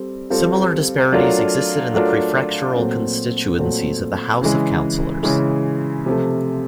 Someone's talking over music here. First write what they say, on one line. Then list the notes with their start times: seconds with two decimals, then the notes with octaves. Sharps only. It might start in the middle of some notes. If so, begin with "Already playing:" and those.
Similar disparities existed in the prefectural constituencies of the House of Councillors.
Already playing: G3 C4 A4
0.30 G3 C4 F4 A4
1.12 F#3 A3 D4 F4 A#4
1.94 F#3 A3 D4 F4 A#4
2.76 A#2 F#3 A3 C4
3.59 A#2 F#3 A3 C4
4.41 C#3 E3 G#3
5.23 C#3 E3 G#3
6.06 C3 F3 A3